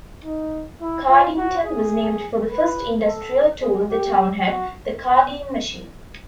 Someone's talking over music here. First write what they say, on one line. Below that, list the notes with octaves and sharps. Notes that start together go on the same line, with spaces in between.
Cardington was named for the first industrial tool the town had, the carding machine.
D#4
E4
F4
F#4
G#4
B4
A4
G#4
G4
F#4